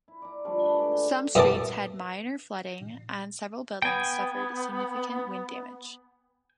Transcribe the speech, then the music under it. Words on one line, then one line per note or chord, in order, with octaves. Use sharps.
Some streets had minor flooding, and several buildings suffered significant wind damage.
E4
D5 A#5
D3 F3 G3 A3
D4 B4 E5 A5
D3 G#3 D4 D6
D3 G#4 G5
F#2 B3 E4 A#4 A5 D6
B3 G5 G#5